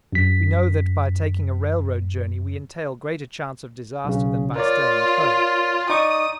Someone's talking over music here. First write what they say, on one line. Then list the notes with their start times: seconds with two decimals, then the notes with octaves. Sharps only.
We know that by taking a railroad journey we entail greater chance of disaster than by staying at home.
0.12 F#2 B6
4.04 B1 C#3
4.56 F4 A#4 C#5 D5
5.90 D#4 D5 C#6 D#6